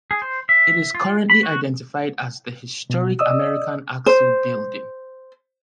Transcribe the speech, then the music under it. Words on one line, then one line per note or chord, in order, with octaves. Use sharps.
It is currently identified as the Historic American Axle Building.
G#4
C5
E5
F4
B5
F#4
B2
D5 D#5 D#6 E6
C5